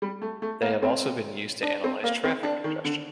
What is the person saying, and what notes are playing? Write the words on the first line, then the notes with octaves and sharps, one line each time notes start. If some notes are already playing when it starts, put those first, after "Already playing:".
They have also been used to analyze traffic congestion.
G3
A3
A3
A#3
C4
D4
C4
A#3
C4
D4
D#3
D3